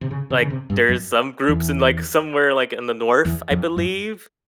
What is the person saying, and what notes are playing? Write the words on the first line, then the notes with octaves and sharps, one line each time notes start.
like, there's some groups in, like, somewhere like, in the North, I believe.
C3
C#3
C3
C#3
C3
G2
F#2
E2
E2
F2
F#2